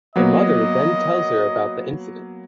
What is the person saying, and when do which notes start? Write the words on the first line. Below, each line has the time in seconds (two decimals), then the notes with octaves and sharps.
The mother then tells her about the incident.
0.16 F#3 A#3 B3 D#5